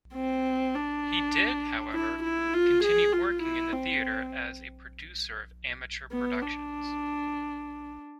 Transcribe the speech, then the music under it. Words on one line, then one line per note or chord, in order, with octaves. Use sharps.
He did, however, continue working in the theatre as a producer of amateur productions.
C4
D4
E4
E4
F4
G#4
F4
E4
C4
B3
D4